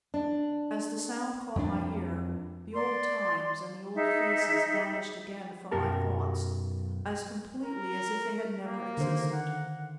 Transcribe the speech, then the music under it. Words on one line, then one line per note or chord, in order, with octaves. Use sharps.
As the sound caught my ear, the old times and the old faces vanished again from my thoughts as completely as if they had never existed.
D4
F2 D4
D5 C6
D#4 G#4 E5
B1 F#2 G4 A#4 A5
A#4
A#3
D3 D#3 C5
F#5